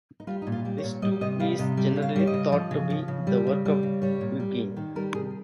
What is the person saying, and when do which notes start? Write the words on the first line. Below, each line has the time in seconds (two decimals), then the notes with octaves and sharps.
This too is generally thought to be the work of Pugin.
0.20 D#4
0.27 G3 F4
0.42 A#2 D#4
0.52 F4
0.65 G3
0.78 C#5
0.83 A#2
1.02 G3 D#5
1.21 C3 D#5
1.40 G3 F5
1.58 C3 D#5
1.77 G3
1.96 C#3
2.02 F5
2.16 G3 C#5
2.27 D#5
2.34 C#3
2.52 F3
2.71 C#3
2.90 F3
3.08 C#3
3.27 G3
3.47 C#3
3.65 G3
3.83 C#3
4.02 G3 C#5
4.21 A#2
4.40 G3
4.58 A#2
4.76 D#3 C5
4.96 G3 A#4
5.15 C3 G#4